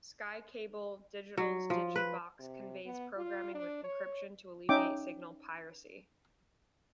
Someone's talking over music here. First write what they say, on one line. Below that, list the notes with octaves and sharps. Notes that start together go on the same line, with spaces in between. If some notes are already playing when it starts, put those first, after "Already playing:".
SkyCable Digital's Digibox conveys programming with encryption to alleviate signal piracy.
F#3
F3
B4
C3
B3
F4
D4
C#5
C#4 D#4 E5 G5 D6